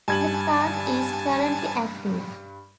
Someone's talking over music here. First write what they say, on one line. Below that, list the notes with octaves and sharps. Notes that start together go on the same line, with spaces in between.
The plant is currently active.
G2 G#5 A5 G#6 F#7